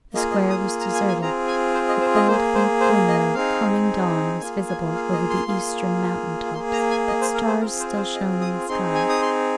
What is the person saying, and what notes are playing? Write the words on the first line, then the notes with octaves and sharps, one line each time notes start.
The square was deserted, the cold faint glimmer of coming dawn was visible over the eastern mountain-tops, but stars still shone in the sky.
A#3 F4 G#4 D#5
D#5
D#6
A#5
G#5
G#5
C4 F4 G#4 A#5
G#5
C5
D#5
C5
D#5
A#3 G#4 C5
C5
C5
D#5
C4 D#4 G#4 F5
A#3 F4 G#4 G#5
G#5
F5
D#5
C6
A#3 F4 G#4
A#3 G#4 C6
A#5
G#5
D#5
C5
A#4
C5
C4 F4 G#4 A#4
C5
C5
D#5
D#6
C4 D#4 G#4 C6
G#5
D#6
C6